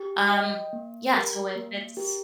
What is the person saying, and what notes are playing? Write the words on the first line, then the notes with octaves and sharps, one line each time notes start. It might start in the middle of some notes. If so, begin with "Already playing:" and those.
Um, yeah, so if it's
Already playing: G4
D#5 G5
A#3
G4 A#4
A#3
G4 A#4